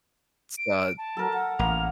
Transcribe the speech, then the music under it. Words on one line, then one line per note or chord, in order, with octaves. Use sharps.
It's, uh,
D7
A5
F#3 A4 A#4
F#5
A1 A#3 F7